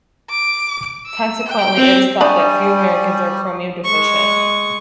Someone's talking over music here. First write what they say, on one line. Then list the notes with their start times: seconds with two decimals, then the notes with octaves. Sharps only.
Consequently, it is thought that few Americans are chromium deficient.
0.30 D6
1.07 E6
1.48 G5
1.78 C4
2.21 G3 D4 G#5 B5 C#6 D#6 G6
3.85 G#3 C#6